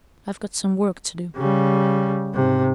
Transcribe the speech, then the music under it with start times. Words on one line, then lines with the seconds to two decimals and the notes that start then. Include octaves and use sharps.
I've got some work to do.
1.37 C#3 G3
2.34 G#2 C3